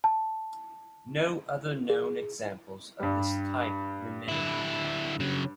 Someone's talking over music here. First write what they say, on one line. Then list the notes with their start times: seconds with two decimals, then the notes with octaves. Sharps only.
No other known examples of this type remain.
0.04 A5
1.89 G#4
3.00 G2 G3
4.28 D3 E4
5.20 C#3 F#3